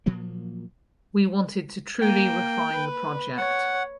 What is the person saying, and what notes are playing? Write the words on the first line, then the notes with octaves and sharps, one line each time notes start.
We wanted to truly refine the project.
A#2 F3 F#3 A#3
A#3 G5
B4
C#5 F#5